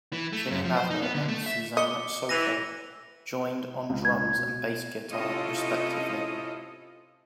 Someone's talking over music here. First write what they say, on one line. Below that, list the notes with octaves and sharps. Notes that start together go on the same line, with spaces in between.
Jimmy Madla and Suzanne Sokol joined on drums and bass guitar respectively.
E3
A3
F#2
F3
C5
D#4
B3
D3
A3
E5
D#5 D6 C#7 G7
E3 A#6 D#7 F7
C#2
G#6
B2
C3 C#4 E4 F4 A4 D#5